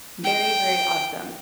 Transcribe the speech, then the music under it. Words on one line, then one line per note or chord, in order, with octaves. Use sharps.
Very, very awesome.
G5